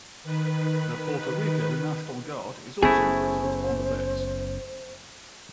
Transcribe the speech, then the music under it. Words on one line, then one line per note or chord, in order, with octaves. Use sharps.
The Puerto Rico National Guard is also present on the base.
D#3 B4
F#1 A3 B3 C#4 E4 G#4 C5